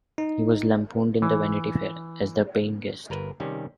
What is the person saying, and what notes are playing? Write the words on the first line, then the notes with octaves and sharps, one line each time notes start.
He was lampooned in "Vanity Fair" as "the paying Guest".
D#4
E3
G1 A#4 B4
C3 D#3 G3 C#4